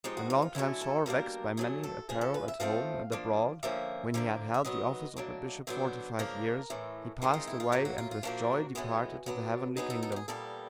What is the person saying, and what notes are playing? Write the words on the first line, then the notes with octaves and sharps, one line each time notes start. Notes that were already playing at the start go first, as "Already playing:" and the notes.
And long time sore vexed by many a peril at home and abroad, when he had held the office of a bishop forty-five years, he passed away and with joy departed to the heavenly kingdom.
F3 G#3 C4 D#4 G4
F#4
F4
F4
D3 F#3 A3 C#4 E4
A4
B2 G3 A#3 D4 A#4
D3 F#3 A3 G#4
A4
C#3 F3 G#3 G#4
A4
B4
E5
A2 F3 A3 C4 F5
F3 A#3 D4
D3 F3 A#3 C#4 E5
D3 F3 A#3 D4
E5
D#3 F#3 B3 D#5
A2 F#3 A#3 D4
D3 F#3 B3 D4 C5
C#3 F3 A#3 D4 A#4
A2 E3 A3
D#3 G#3 C4 D#4 F#4
F4
E4
F4
A2 F#3 A#3 G4
F#4
F4
F4
A#2 F3 A#3 D4 F#4
A2 E3 G#3 B3
F#3 B3 D4
F#3 B3 D#4 G#4
A4
A4
G4
G#4
A#2 G3 B3 A4